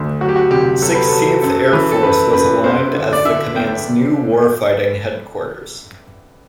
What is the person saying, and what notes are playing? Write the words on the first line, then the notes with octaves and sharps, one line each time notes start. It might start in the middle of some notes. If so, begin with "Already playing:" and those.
Sixteenth Air Force was aligned as the command's new Warfighting Headquarters.
Already playing: D2 D3
F#3 F#4
G4
F#4
C2 G4
F#3 A4
B4
F#3 A4
F#2 A4
E3 B4
A4
F#2 B4
F#2 B4
E2 C5
D3
D5
D3 E5
E2 G5